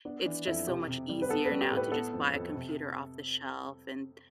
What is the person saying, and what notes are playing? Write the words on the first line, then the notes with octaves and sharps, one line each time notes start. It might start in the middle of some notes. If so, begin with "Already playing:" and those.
it's just so much easier now to just buy a computer off the shelf and
B3 D4
E3 D4
F2 E4
C3 G4
C3
G3
B4
B3 A4
B4
G3
G4
A2
B4
B3 A4
F2
F2
C3